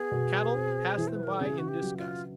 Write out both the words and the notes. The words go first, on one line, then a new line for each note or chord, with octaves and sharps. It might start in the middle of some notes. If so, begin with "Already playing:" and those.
Cattle pass them by in disgust.
Already playing: B3 G#4
B2
C4
E3
C5
B4
A#4
A4
C#3 G#4
F#4
G4
F#3
F4